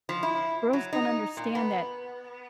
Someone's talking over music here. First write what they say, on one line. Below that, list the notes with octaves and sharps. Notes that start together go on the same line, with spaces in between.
Girls don't understand that
F3
E4
F#3
D#4
A#2
B3